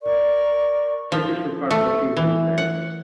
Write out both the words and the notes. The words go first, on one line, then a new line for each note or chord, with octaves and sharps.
Tickets require bookings in advance.
A#4 D5 C#6
F3
A3
E3
F#5